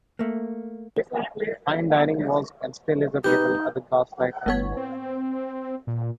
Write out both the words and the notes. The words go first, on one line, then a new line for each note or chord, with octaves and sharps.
Fine dining was and still is available at the Gaslight Restaurant.
A3 A#3
D#4 G4 B4 G6
G1 A2 B3 C#5
C4
A#2